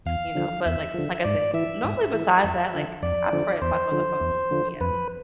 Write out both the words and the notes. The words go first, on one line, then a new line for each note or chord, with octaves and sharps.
you know. But, like like I said, normally, besides that, like, I prefer to talk on the phone, yeah.
E2 F5
D3 F3
E2 E5
D3 F3
G#2 D5
E3 E5
G#2
E3
F2
D3 F3
F2 D5
D3 F3
E2 C5
D3 F3
E2
D3 F3
F2 B4